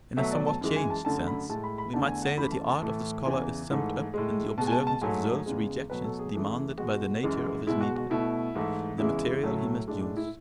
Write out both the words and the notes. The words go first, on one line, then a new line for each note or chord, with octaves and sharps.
In a somewhat changed sense, we might say that the art of the scholar is summed up in the observance of those rejections demanded by the nature of his medium, the material he must use.
B2 F#3 A3 E5
D5
A5
F#2 E3 G#3
G#5
A5
F#2 D3 A3 A5
B5
A2 G#3 A5
B5
B5
E2 D3 A3 A5
G#5
F#5
F#2 E3 A3 B5
A5
A5
A2 E3 A3
E2 C#3 E3 G#5
G#2 E3 A3
A2 G#3
B2 G#3 A5
G#5
A5
A5
G#2 F#3 A3 G#5
E2 C#3 G#3
B2 F#3 A3 B4
A4
G#4
F#2 E3 A3
B2 G#3 F#4
F#2 E3 G#3
B2 G#3 E4
F#4
F#4
B2 A3 E4
G#2 E3 A3
E2 C#3 E3 G#3 E4
A2 F#3 A3
A2 G#3 D4
D4
E4